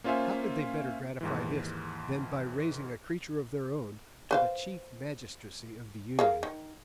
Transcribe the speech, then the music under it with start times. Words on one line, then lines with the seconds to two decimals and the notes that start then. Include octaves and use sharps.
How could they better gratify this, than by raising a creature of their own to the chief magistracy of the Union?
0.04 A#3 C#4 F4 C5 E5 G#5
1.21 D#2 G#2 E3
4.31 B4 C5 F5
6.19 G#4 A#4 F5
6.43 D#3